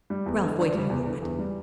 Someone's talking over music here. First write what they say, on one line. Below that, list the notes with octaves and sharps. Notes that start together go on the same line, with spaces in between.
Ralph waited a moment.
G3
E2
D3
D4
G3
E2
D3
E2
G3